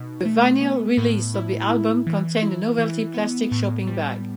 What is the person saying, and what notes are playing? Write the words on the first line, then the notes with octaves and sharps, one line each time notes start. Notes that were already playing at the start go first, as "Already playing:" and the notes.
The vinyl release of the album contained a novelty plastic shopping bag.
Already playing: B2 D#4
A3
B3
A2
E4
E4
E3
E4
E3
B3
A2
G3